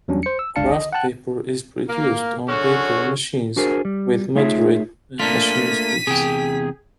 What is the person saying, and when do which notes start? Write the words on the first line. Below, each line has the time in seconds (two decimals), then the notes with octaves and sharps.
Kraft paper is produced on paper machines with moderate machine speeds.
0.08 E2 F#3 G3 C#4 D4
0.23 C5 C#7
0.39 E6
0.56 G1 C#2 D4 F5 A5 C#7
0.71 D#5
0.93 F#5 G5 A5 F#6
1.89 A#3
2.49 D3 F#3 C#4 F#4 G#4
3.56 D4 F#4 G#4 A#4 C5
3.85 G3
4.35 A3 D#4 F4 G#4 C#5 E5
5.20 A3 A#3 D4 F4 B6 D#7
6.07 E2 C3 G#4 G5